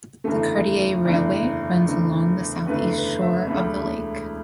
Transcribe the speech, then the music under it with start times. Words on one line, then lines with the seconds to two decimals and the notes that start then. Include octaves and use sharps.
The Cartier Railway runs along the southeast shore of the lake.
0.24 F#1 E2 D3 A3 A4
1.04 F#1 E2 D3 A3 D5
1.86 F#1 E2 D3 A3
2.66 F#1 E2 D3 A3 B4
2.94 B4
3.21 E5
3.47 E1 D2 D3 A3 B5